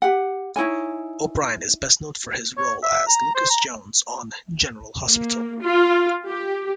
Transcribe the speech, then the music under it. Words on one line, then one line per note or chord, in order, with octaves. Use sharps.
O'Brien is best known for his role as Lucas Jones on "General Hospital".
G4 F#5
D#4 E4 C#5 G#5
C#5
E5
A#5
C5
A#5
A#3
F4
G4